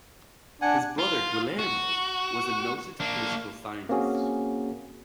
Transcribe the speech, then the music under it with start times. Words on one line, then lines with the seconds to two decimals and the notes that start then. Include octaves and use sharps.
His brother Guillermo was a noted political scientist.
0.62 D4 F#5 G#5
0.99 F4
1.59 F#4
3.00 A#3 D4
3.89 A#3 C4 C#4 F#4 G#4